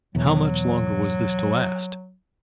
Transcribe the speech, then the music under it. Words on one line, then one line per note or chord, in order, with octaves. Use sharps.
How much longer was this to last!
E2 B2 F#3